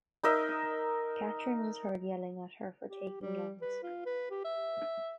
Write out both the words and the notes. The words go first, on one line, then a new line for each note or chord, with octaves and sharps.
Catherine was heard yelling at her for taking lovers.
D#4 A#4 D#5 E5
G4
G3
B4
F4
B4
G4
E5